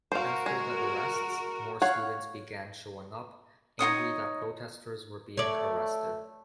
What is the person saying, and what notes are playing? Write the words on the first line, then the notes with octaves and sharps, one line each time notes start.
After the arrests, more students began showing up, angry that protesters were being arrested.
F#4 A#4 C5 F5
G#3
C#5 F5 F#5
D#4 F4 C#5 D#6
A3 C#5 D5